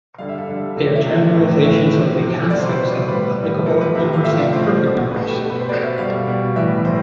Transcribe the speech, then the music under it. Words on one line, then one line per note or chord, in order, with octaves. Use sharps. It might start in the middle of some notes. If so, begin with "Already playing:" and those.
They are generalizations of the concepts of amicable numbers and perfect numbers.
D3 G3 F5
E5
A4
D3 G3
C3 F3 A3
D5
E5
C3 F3 A3
A2 E3 A3
A2 E3 A3 E5
C3 F3 A3
C3 F3 A3
B2 G3 D5
C5
B4
B2 G3 C5
A2 G3 B4
A2 G3
C3 F3 A3 A4
B4
C3 F3 A3 E5
F5
A2 F3 A3 E5
D5
A2 F3 A3 C5
B2 A3
B2 A3 B4
A4
G4
B2 A3 A4
B4
C5
B2 A3 D5
E5
B2 G3 F5
B2 G3
A2 E3 G3 E5
A2 E3 G3 C5